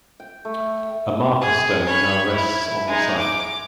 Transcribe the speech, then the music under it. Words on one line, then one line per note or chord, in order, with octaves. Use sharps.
A marker stone now rests on the site.
G5
A3
G#4
C#5 B5
E4
G#3 D#4
D6